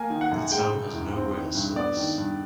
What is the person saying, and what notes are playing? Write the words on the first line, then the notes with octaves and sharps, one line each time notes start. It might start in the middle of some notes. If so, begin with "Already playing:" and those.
The town has no rail service.
Already playing: A#3 G#5
D#3
F#5
F#2
G#3 G5
C#3
E2
C4
D#3
G2
B3 D5
D#3
G2